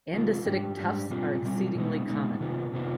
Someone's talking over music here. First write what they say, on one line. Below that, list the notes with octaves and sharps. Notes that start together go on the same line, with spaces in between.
Andesitic tuffs are exceedingly common.
C3 D#3 G#3 B3 F4
G#2 G3 D4 G4
G#2 G3 D4 G4
B2 G3 C4 F4
B2 G3 C4 F4
B2 G#3 B3 D#4
B2 G#3 B3 D#4
C3 D#3 B3 F4
C3 D#3 B3 F4